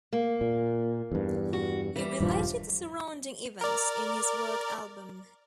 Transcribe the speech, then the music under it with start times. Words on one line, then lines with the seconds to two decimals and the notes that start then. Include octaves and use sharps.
He related the surrounding events in his work Album.
0.13 A#3
0.41 A#2
1.12 E2 G2
1.53 F#4
1.96 E3 G3
2.20 D#1 G2 F3
3.61 A#4 D5